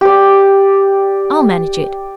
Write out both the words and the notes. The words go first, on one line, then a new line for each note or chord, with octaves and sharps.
I'll manage it.
G4 D5